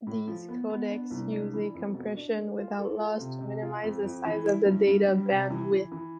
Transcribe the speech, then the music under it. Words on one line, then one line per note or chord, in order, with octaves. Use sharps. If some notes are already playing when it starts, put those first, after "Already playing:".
These codecs use a compression without loss to minimize the size of the data bandwidth.
A2
F3
B3
B3
D4
C2
D4
E3
F2
B2
D4
A3
F4
A4
F4
C3
C3
F4
F2
F2
E3
E4
G2
G2
G3
C3
E3
E3
E3